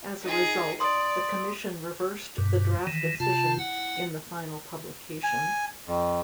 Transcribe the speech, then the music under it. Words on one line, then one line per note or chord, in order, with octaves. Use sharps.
As a result, the commission reversed the draft decision in the final publication.
D#4 G#4
D5 C6 D#6
G2 B2
D#3 E3
C3 F4 A5
E4 F#5
G#5
F2